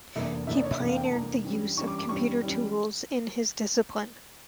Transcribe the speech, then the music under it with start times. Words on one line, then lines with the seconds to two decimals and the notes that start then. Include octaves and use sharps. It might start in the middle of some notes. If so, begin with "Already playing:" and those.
He pioneered the use of computer tools in his discipline.
0.16 F1 E2 E3 A#3 D4 E5
0.47 F1 E2 E3 A#3 D4 E5
0.55 D5
0.63 C#5
0.71 E5
0.80 F1 E2 E3 A#3 D4
0.88 F5
0.96 G5
1.04 A5
1.12 F1 E2 E3 A#3 D4 A#5
1.44 G2 E3 G3 C#4
1.76 G2 E3 G3 C#4 C#6
1.87 D6
1.98 D6
2.09 G2 E3 G3 C#4 C#6
2.41 E3 G3 C#4